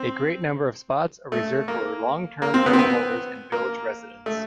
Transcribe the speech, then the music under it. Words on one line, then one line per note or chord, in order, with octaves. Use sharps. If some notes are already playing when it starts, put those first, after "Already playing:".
A great number of spots are reserved for long-term permit holders and village residents.
Already playing: C4
A3
A#3
A#3
C4
B3
C4
B3
A#3
A3